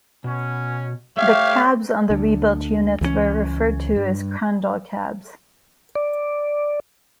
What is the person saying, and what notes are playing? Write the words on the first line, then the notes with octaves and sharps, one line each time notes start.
The cabs on the rebuilt units were referred to as Crandall Cabs.
B2 C#4
A3 G4 C#5 E5 F5
D2 D3
C#2 E3 F#3 C#4
G2
D5